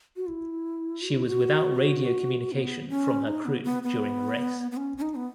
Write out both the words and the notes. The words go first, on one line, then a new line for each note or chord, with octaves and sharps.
She was without radio communication from her crew during the race.
F#4
E4
F#4
E4
F#4
B3
C#4
D#4
B3
B3
B3
B3
C#4
C#4
D#4
B3